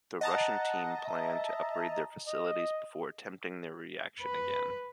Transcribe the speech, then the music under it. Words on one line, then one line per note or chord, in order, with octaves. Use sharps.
The Russian team planned to upgrade their facilities before attempting the reaction again.
D#5 F#5 A5 A#5
E5
D#5
B4